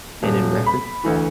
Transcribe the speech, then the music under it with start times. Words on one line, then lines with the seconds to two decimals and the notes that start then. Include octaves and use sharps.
And in reference to that,
0.23 D#1
0.66 B5
1.04 D2 E3